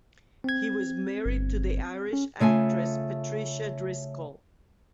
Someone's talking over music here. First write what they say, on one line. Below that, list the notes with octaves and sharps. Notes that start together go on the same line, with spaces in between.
He was married to the Irish actress Patricia Driscoll.
C4 G#6
G1
C#4
C#3 A3 F4 G#5